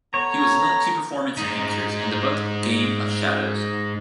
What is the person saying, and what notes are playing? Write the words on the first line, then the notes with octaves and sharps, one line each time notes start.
He was linked to performance enhancers in the book "Game of Shadows".
B3 A4 C#5 A#5
G#2 D#4